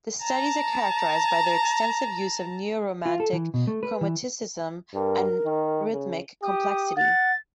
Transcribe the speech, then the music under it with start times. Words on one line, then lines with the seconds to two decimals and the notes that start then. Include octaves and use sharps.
The studies are characterized by their extensive use of neo-romantic chromaticism and rhythmic complexity.
0.22 A5 A#5
3.06 F4
3.20 A4
3.33 E3
3.54 B2
3.67 A3
3.83 B4
4.01 E3
4.94 G2 A#4
5.45 D#3
5.92 C#3
6.43 G4 D#6
6.97 F#5 A6